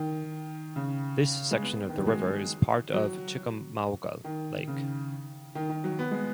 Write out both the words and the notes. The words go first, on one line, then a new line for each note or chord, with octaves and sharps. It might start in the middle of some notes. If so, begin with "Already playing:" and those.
This section of the river is part of Chickamauga Lake.
Already playing: D#3
C#3
G#3
B3
D#3
F#3
G#3
F#3
D#3
C#3
D#3
D#3
F#3
B3
G#3